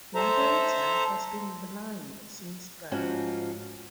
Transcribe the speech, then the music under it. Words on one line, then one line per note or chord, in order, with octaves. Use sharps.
Margarita has been blind since birth.
A4 C5 E5 A#5
G#2 F3 C#4 F#4